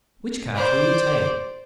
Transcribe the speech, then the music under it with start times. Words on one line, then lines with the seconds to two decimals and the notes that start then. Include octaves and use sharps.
Which cards will you take?
0.56 C5 D5